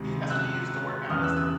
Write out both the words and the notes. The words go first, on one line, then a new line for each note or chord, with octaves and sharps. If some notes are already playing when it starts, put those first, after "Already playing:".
That's what you use to work out, you said?
Already playing: D2 C3 D#3 G#3
E6 F#6
E2 C#3 E3 D#6 F6
E6 F#6
E6 F#6